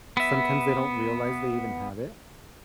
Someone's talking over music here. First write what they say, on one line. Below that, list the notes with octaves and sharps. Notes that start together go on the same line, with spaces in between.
sometimes they don't realize they even have it,
B3 E5